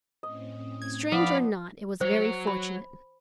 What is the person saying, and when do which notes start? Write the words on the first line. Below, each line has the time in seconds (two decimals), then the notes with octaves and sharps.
Strange or not, it was very fortunate.
0.23 A2 C4 C#4 D#5
0.82 G#6
1.12 F3 B3 D4 D5 F5 B5
2.01 F#3 C5 C#5
2.47 B5